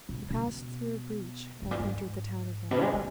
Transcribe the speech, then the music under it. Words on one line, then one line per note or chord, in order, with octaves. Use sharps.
He passed through a breach and entered the town again.
B2
B2
G#2
A#2
G#2
B2
G#3
G#3